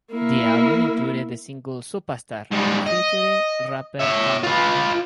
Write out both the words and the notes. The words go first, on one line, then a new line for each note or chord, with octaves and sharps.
The album included the single "Supastar" featuring rapper Common.
A#3 E4
G#2 G3
D#5
C#5 E5
F4 B4